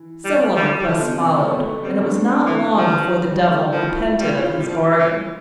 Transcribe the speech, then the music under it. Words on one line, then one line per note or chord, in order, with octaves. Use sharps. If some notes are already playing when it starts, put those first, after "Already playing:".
Similar requests followed, and it was not long before the devil repented of his bargain.
Already playing: E3
G3
G3
E3 G3
D3 F3
B2
C3
B3
F3 A3
B3
A3
G3 C4
D4
C4
E3
B3
F3 G3
G3
A3
F3 E4
F4
E4
G3 F4
E4
F4
G3
F3 F4
F4
E3